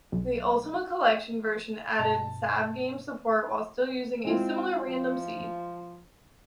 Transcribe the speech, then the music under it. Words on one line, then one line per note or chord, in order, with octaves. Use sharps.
The "Ultima Collection" version added savegame support while still using a similar random seed.
B1
G2 B2 A5
G#3 C4 E4 F4
F3